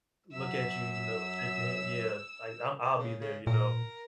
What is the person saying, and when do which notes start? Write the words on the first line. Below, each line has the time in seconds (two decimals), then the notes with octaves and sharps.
look at you, you know, shake your hand Yeah, like, I'm I'll be there, you know,
0.33 F#2 F#3 E5 E6
2.99 C#3
3.21 C#3
3.47 A#2 A#4